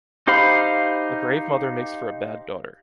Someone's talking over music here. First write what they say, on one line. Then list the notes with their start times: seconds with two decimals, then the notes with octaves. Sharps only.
A brave mother makes for a bad daughter.
0.27 D#4 G4 C5 F5 B5